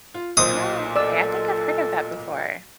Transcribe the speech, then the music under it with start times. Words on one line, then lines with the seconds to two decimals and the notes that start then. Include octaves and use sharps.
Oh, okay. I think I've heard of that before.
0.14 F4
0.37 B1 A#2 C5 D#6
0.96 A4 D5 E6